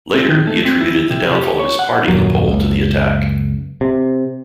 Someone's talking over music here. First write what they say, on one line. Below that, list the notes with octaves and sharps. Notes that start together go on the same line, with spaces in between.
Later, he attributed the downfall of his party in the poll to the attack.
C4
D#3
A3
C4
E4
C3
G4
C#5
F#5
D#1 F#2 F#3
F#1 C#2
C3